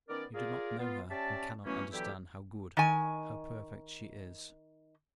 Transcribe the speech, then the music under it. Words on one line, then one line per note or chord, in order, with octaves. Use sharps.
You do not know her, and cannot understand how good, how perfect she is.
D#3 B3 C#4 A#4 D5
F4 G#4 A#4 D5
B3 F4
C#4 G4 D5 E5 A5
B2 E3 F#3 A3 A#3 C#4
B2 D3 E3 F#3 E4 G4
D#3 G#5